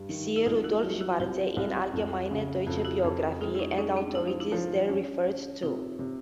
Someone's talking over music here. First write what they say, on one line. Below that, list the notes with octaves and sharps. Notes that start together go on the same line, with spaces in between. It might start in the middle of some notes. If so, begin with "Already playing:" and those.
See Rudolf Schwarze in "Allgemeine Deutsche Biographie" and authorities there referred to.
Already playing: G2 G3
D#3
E4
C2 D#4 F4
E4 F#4
F#3 F4 G4
E4 F#4
C2 F4 G4
C2
F2
C#3
F2 F#4
G4
E4 F#4
F2
G#3 D#4 F4
E4
C#4 D#4
G#3 C#4 D#4
C4 D4
F3 E4
D#4
D4 E4
F3
C#4
C#4
C3 D#4 F4
C3